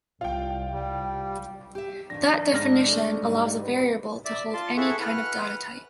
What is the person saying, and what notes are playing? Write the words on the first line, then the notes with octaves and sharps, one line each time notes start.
That definition allows a variable to hold any kind of data type.
C2 F4 G5
G3
G4 E5
F2 D#3 D4 A#6
G#2 D3 F6 A#6
G#3 A3
G#2 G3 D#4
B4
D5 E5
F4 A5 C6
E4 G#4 A4 E5 F#5 C#6
B4 F#5 F6 F#6